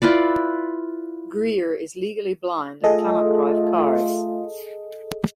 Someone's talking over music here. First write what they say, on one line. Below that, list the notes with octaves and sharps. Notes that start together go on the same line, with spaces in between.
Greer is legally blind and cannot drive cars.
E4 F4 B4 D5
A3 F4 G#4 A4 D#5